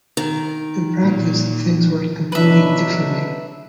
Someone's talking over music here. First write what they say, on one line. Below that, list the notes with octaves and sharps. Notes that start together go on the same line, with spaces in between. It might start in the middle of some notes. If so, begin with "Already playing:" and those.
In practice, things worked completely differently.
D#3
A#2
B2 F#3 D4 B4 E5